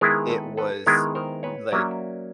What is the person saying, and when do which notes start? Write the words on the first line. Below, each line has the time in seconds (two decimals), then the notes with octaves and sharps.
it was i like,
0.01 D#3 G#3 B3 E4 G#4 A#4
0.29 A4 B4
0.57 A4 B4
0.86 D#3 G#3 B3 E4 G#4 A#4
1.15 A#4 C5
1.43 B4 C#5
1.72 F#3 A#3 C#4 D5 E5